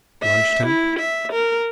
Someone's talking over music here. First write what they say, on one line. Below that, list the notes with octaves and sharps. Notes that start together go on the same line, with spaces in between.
Lunch Temp.
E5
E4
E5
A#4